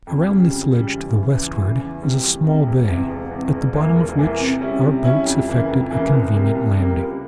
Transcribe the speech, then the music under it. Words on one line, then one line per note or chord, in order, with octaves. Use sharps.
Around this ledge to the westward is a small bay, at the bottom of which our boats effected a convenient landing.
F2
C#3 G3
F2
C#3 G3
E2
C#3 E3
E2
C#3 E3
E2
C3 G3
E2
C3 G3
E1
E2 C3
E1
E2 C3
E1
E2 E3 A#3
E1
E2 E3 A#3
C3
G3 C#4 E4
C3
G3 C#4 E4
F2
C#3 E3 A#3 E4
F2
C#3 E3 A#3 E4
C2
C3 G3 A#3
C2
C3 G3 A#3
C#2